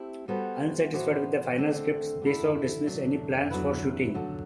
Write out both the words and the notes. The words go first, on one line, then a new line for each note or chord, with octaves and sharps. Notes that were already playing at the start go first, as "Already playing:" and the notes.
Unsatisfied with the final script, Spacehog dismissed any plans for shooting.
Already playing: A3 C4 E4 G4
G3 B3 F#4 A4 C5
A2 E3 B3 F#4 C5
D3 A3 C4
D3 A3 E4
F#3 A3 D4
D3 F#3 B3 E4 B4
D3 F#3 A3